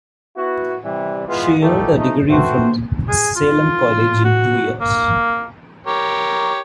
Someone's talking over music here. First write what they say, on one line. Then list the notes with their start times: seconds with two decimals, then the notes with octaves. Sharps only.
She earned her degree from Salem College in two years.
0.36 B3 E4 F#4
0.84 C3 E3 G3
1.28 E3 G#3 B3 F4
1.60 E3 G3 A3 A#3 D#4
1.97 F3 A3 D#4
2.30 A3 C4 F#4 B4 C5
3.09 G#4
3.36 F4
4.25 F#4
4.81 A#3
5.87 G4 A#4 C#5